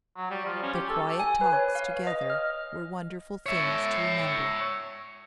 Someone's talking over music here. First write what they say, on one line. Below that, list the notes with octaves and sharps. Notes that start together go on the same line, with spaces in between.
Their quiet talks together were wonderful things to remember.
F#3
G3
F3
C#4
G4
A4
G#5
B4
C#5
F5
D#5
F6
C#5 E5